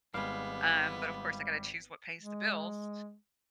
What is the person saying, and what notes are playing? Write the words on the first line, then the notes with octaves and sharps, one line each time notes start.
Um, but of course, I've gotta choose what pays the bills.
G#1 G3 G#3 B3 F5
G#3